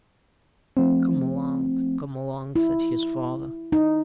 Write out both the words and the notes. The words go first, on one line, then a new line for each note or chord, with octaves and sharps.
"Come along, come along!" said his father.
F3 A3 C4
E4
D#4